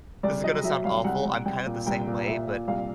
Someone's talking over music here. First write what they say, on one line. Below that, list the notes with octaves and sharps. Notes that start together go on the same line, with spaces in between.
this is gonna sound awful. I'm kinda the same way, but
C2 D5
F#3 D#5
F#3 E5
C2 F5
C2 F#5
C2
C2 G5
A#2
C2 G5
A#2
A#2 E5
A#2
C2 F5